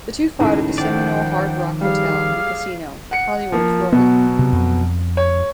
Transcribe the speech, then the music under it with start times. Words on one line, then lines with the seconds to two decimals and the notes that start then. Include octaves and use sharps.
The two fought at the Seminole Hard Rock Hotel and Casino, Hollywood, Florida.
0.40 D#2 A2 C#3
0.78 D#3 F3 C5 D5 F#5 G5
1.81 G3 G4 G#4 F5
3.11 F#5 C#7
3.52 F3 A#3
3.92 B2 F#3 B3
4.39 C3
4.53 F2
5.17 C#5